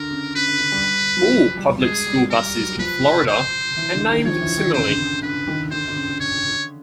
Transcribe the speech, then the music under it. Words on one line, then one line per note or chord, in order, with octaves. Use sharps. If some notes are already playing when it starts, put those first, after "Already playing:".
All public school buses in Florida are named similarly.
Already playing: D3 A#4
C#3
C#3 B4
D3
D3
G3
G3
F3
F#3
G3
G#3 G#4
G3
G3 A#4
F#3
F3 B4
C5
E3
D3
D#3
F3 C#5
E3
D#3
C#3 C5
D3
C#3
D3 B4
D#3
D3 C5
D3
C#3
C#5